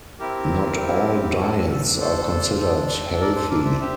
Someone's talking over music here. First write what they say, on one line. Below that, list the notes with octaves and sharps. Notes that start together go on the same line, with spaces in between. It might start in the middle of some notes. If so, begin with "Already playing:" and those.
Not all diets are considered healthy.
C4 E4 G4 A#4
D4 A4 A#4
A4
A4 C5
D4 A4
A#4 D5
A4 C5
A#4 D5
C5 E5
G4 C5 E5